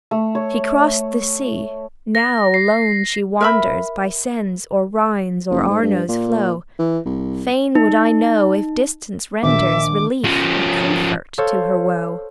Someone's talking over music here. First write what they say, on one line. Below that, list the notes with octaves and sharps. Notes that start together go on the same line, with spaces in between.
She crossed the sea--now lone she wanders By Seine's, or Rhine's, or Arno's flow; Fain would I know if distance renders Relief or comfort to her woe.
A3
C#5
A#6
C7
A#4 E5 B5
F#1
G#2
G2
A#2
E3
C2
D#4
A#1 D#3 A#3 D4 E5 D6
F3 C#4
A4 C5 C#5 F5